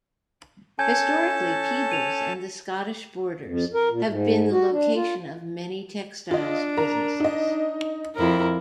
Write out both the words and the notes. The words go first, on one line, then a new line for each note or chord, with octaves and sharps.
Historically Peebles and the Scottish borders have been the location of many textiles businesses.
C#4 A4 G#5 A5 G6 G#6
D#7 F7
F2
A#4
A#2
G#2
F#4
D4
F4
D4 F4 D#5
A#4 A#5
D#4 D#5
F2 E4 A#4